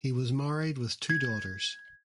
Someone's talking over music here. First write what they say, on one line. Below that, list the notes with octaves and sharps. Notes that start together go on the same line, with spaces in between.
He was married with two daughters.
G#6